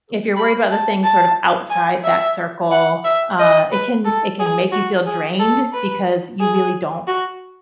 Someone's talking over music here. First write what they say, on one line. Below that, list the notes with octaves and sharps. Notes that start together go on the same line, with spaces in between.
if you're worried about the things sort of outside that circle, uh, it can it can make you feel drained because you really don't
B5
A5
A5
G#5
E5
F#5
E5
D#5
B4
A4
G#4
F#4
G#4
A4
B4
G#4
F#4